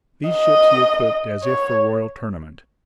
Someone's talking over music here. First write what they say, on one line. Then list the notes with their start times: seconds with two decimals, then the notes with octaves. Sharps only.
These ships he equipped as if for royal tournament.
0.30 D#5
1.43 C#5